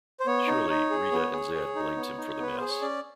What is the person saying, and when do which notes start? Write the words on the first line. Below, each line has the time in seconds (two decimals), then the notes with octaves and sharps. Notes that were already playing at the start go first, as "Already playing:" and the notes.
Surely, Rita and Zedd blames him for the mess.
0.20 C5
0.26 B3 C#5
0.47 D#4
0.70 D#4
0.90 G#4
1.12 B3
1.33 G#4
1.54 G#4
1.75 D#4
1.97 B3
2.18 D#4
2.39 B3 B4
2.56 G#4 C5
2.69 C#5
2.81 C#4 D5